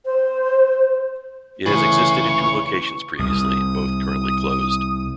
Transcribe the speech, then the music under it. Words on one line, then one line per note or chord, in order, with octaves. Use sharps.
It has existed in two locations previously, both currently closed.
C5
D2 C#3 E3 G#4 C#5 B5 C#6
C2 D#6